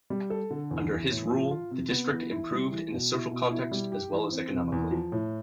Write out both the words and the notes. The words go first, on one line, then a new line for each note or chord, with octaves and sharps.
Under his rule, the district improved in a social context as well as economically.
G3
A4
D3
E2
E3
A2
F3
F4
C3
B3
E3
E4
G3
E3
B2
E4
B2
E4
G3
G4
E3
C4
C3
E2
F3
A2